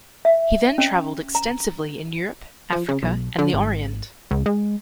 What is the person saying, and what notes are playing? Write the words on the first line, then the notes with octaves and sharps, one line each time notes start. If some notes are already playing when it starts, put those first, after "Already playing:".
He then traveled extensively in Europe, Africa and the orient.
E5
C#4
A#5
F3
C#3
B1
D3
G#1
C#2
G#3